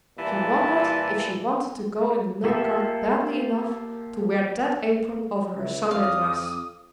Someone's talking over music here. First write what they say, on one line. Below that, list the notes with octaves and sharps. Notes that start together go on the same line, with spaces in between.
She wondered if she wanted to go in the milk cart badly enough to wear that apron over her Sunday dress!
A#2 E3 G3 A5
A#3 F4 G4 A4 E5
C#2 E4
F2 F5 D6 D#6